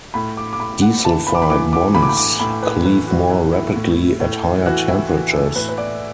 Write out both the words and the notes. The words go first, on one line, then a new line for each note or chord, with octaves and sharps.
Disulfide bonds cleave more rapidly at higher temperatures.
A2 B5
D6
D6
A2 B5
F#5
E3 A5
B5
D6
B5
E3 D6
D6
A2 B5
D6
B5
D6
A2 B5
B4
E3 B4
F#4
E3 E4
E4
A2
A2
E3 F#4
E4
E3 F#4
A4
A4
A2 B4
B4
D5